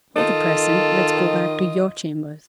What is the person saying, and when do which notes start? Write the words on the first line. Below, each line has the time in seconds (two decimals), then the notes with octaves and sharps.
For the present let's go back to your chambers.
0.16 D#3 F4 A4 D#5